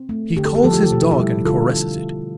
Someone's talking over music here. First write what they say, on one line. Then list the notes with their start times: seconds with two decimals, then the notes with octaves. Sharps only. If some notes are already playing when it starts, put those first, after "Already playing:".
He calls his dog and caresses it.
Already playing: C4
0.09 A3
0.36 D3 G4
0.46 A4
0.55 G4
0.63 F3 A3 A4
0.74 G4
0.83 A4
0.91 B2 G4
1.01 A4
1.11 E4 G4
1.19 G3
1.45 D3 F4 A4